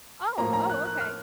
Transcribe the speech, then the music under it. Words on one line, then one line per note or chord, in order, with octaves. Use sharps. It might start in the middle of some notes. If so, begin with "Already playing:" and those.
Oh! Oh, okay.
A2 F3 A#3 A#5
A#5
F#6
F#6
F6